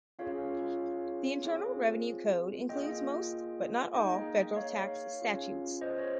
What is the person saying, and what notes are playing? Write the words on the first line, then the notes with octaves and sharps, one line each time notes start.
The Internal Revenue Code includes most but not all federal tax statutes.
C#4 F4 G#4 C#5 F5
C4 F4 G#4
A#3 F4 G#4 D#5 G5
A#3 D#4 G#4 D#5 G5
C#5 F5
C#4 F4 G#4
C5 D#5
C#5